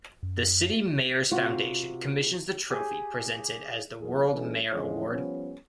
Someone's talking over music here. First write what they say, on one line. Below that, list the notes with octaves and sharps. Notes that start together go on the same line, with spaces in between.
The City Mayors Foundation commissions the trophy presented as the World Mayor Award.
F#2
C3 F4 F#4
G4 G#4
E2 F#3 A#3 F4 G#4
E3 G#3 C#4 D4 A4
E2 D3 F3 G#3 C#4
F3 G3 B3 C#4